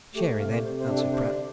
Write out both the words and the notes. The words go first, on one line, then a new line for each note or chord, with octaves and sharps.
"Sherry, then," answered Pratt.
A3 G4
C3 F5
D5
C3 C5
C5
D4 G4
A4
D3 C5
C5
D5